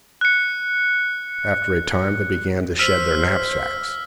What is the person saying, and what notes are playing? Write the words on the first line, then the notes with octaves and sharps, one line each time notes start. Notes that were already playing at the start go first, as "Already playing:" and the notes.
After a time they began to shed their knapsacks.
F#6 C#7
C5 E6 F6 B6